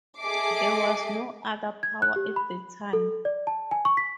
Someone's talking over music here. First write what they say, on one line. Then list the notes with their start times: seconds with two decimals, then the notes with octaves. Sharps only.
There was no other power at the time.
0.19 G#4 A4 D#5 E5 D6 C7
1.83 G#6
2.02 F#6
2.16 G4
2.36 B5
2.93 A4
3.25 D5
3.47 A5
3.71 G#5
3.85 C#6
3.97 B6